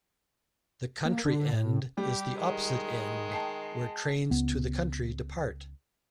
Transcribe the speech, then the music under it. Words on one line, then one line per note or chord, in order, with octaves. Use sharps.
The "country end" is the opposite end, where trains to the country depart.
A#3
D3
A2
G3 G4
D#3 G#3
G5 A5 C7
C#2 B3